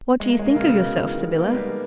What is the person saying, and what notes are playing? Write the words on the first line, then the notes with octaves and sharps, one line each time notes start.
"What do you think of yourself, Sybylla?"
G#3
A#3
G#3
A#3
C#3
B2
C#3
E3
D#3
B3
A#3
G#3
G3